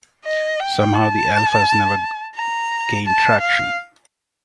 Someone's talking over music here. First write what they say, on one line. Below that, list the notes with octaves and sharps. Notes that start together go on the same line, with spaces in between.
Somehow, the Alphas never gained traction.
D#5
G5
A5
A#5
A5
F5